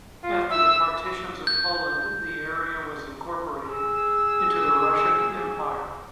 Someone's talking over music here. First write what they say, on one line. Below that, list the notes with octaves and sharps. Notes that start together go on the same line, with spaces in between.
After the Partitions of Poland the area was incorporated into the Russian Empire.
F4
E5 E6
G6
G#4 E6